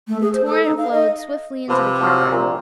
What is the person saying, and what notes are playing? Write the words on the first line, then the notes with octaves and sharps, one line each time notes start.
The torrent flowed swiftly into the cavern.
A3
G#4
C5
A4
D#4
F5
D#5
C3 F3 B4
F3 F#3 F5
A#1 A#2